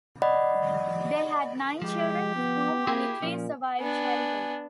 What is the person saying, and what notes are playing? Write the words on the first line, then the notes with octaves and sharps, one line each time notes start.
They had nine children, of whom only three survived childhood.
D5 D#5 F#5 B5
F3 G#3 G4
B3
A#3 E4 F#4 G#4
A#2 F3 C#4
B3 D4 G#5